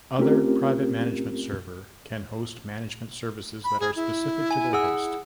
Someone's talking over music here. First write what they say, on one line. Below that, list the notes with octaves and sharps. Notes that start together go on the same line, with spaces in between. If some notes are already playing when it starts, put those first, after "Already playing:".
Other private management server can host management services that are specific to their host.
A3 C4 C#4 F4 G4 A#4
B5
G#4
E4
G#5
G#4 F#5 E6